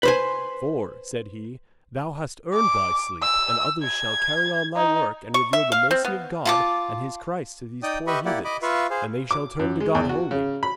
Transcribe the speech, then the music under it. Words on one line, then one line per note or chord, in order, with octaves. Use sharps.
'For,' said he, 'thou hast earned thy sleep, and others shall carry on thy work and reveal the mercy of God and his Christ to these poor heathens, and they shall turn to God wholly.
B4 C5 G#5
D6
E6
G#6
D#4
C#6
E5
F5
C4
B3
F4 A5 D6
D#4 D5 G5 D#6
G4 B4 D#5 E5 B5 C#6
A#3 E4 G4 D5 F#5
D#5 B5 D6
F4 B4 E5 F5 C#6
G#4 C5 F5
D6
F#2
G#3
E2
F#4
C#3
B5